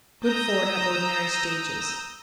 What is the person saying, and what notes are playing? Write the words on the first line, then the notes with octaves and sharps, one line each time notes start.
Good ford at ordinary stages.
A#5 D#6 E6 G6 A#6